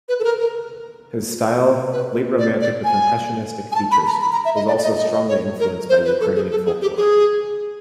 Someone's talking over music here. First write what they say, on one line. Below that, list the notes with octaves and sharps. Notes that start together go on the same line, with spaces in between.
His style, late romantic with impressionistic features, was also strongly influenced by Ukrainian folklore.
B4
A4
A#4
A#4
B4
D5
D5
G#5
G#5
A5
B5
A#5
B5
A#5
E5
D#5
D5
D5
D#5
D#5
D#5
C#5
A#4
C5
B4
A4
G#4
A4
G#4
G4
G#4